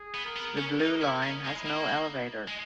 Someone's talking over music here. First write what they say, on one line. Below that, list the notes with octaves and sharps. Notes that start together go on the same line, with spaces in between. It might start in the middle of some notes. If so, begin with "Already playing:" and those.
The Blue Line has no elevator.
Already playing: G#4
B3
A#4
B3
C#4 A#4
D#4
E4
C#4 D#4
G#3
E4
A#3
D#4
G#3